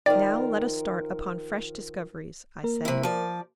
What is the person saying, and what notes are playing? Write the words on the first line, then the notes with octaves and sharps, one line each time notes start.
"Now let us start upon fresh discoveries," I said.
D#3 F3 A#4 D5
A#3 A#4
C3 E4
F3 D5